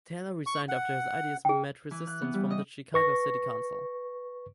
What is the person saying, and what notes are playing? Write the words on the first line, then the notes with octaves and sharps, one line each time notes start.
Taylor resigned after his ideas met resistance from the Chicago City Council.
C#6
F#5
G#4 G5
E3
F#6
B3
G3
D#5
B4 C#6 A#6